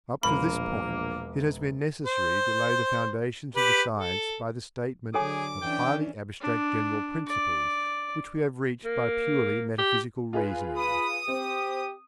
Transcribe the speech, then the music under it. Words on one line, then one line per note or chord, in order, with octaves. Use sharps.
Up to this point it has been necessary to lay the foundations of the science by the statement of highly abstract general principles which we have reached by purely metaphysical reasoning.
E1 A#1 A#3 B5
C5
G4 B4
A4
D3 F#3 G#4 A4 C#5 G#5 D6
E3 C#4 D4 G5
D4
D5
A#3
G4
F4 G#4 B4
B5 D#6
C4 G4